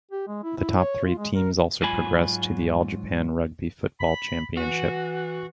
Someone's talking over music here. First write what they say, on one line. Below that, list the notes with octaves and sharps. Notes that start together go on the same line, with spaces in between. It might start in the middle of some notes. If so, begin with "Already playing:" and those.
The top three teams also progressed to the All-Japan Rugby Football Championship.
G4
G#3
E4
E4
C#5
F4
G#3
A#4
G#2 F#3 G#3 F4 G#5 B5
B5
E3 F#4